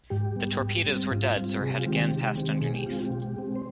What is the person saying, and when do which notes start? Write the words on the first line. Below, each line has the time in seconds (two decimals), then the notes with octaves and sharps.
The torpedoes were duds or had again passed underneath.
0.10 G#2 G4
0.36 G3 B3
0.61 G#2
0.86 G3 C4
1.11 G#2 F4
1.36 G3 C4
1.61 C3 G#4
1.70 G4
1.79 F4
1.86 D#3 G#3 C4 G4
2.11 C3
2.35 D#3 G#3 C4
2.61 B2 G#4
2.74 G4
2.86 G#3 C4 F4
2.99 G4
3.11 B2
3.36 G#3 C4
3.56 C5